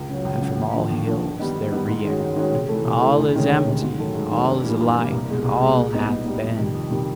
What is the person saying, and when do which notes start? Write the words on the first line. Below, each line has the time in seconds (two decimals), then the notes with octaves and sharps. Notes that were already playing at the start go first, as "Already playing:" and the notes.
And from all hills there re-echoed: 'All is empty, all is alike, all hath been!'
Already playing: C#2
0.09 C#3 F#3
0.25 C#2
0.41 C#3 F#3
0.58 D#2
0.75 D3 F3
0.90 D#2
1.07 D3 F3
1.23 G2
1.39 D#3 G3 B3 D#4
1.55 G2
1.72 D#3 G3 B3 D#4
1.87 G#2
2.04 D#3 G#3 C#4 F#4
2.20 G#2
2.36 D#3 G#3 C#4 F#4
2.52 C3
2.68 E3 A3
2.85 C3
3.01 E3 A3
3.17 D2
3.34 C3 D#3 G#3 C#4
3.50 D2
3.66 C3 D#3 G#3 C#4
3.82 G#2
3.98 D#3 F#3 A3
4.15 G#2
4.32 D#3 F#3 A3
4.47 G2
4.64 E3 G3 A#3
4.80 G2
4.96 E3 G3 A#3
5.12 C2
5.29 B2 G#3
5.44 C2
5.61 B2 G#3
5.77 A#2
5.94 G3 B3 D#4
6.10 A#2
6.25 G3 B3 D#4
6.42 F2
6.59 C3 D#3 G3
6.75 F2
6.90 C3 D#3 G3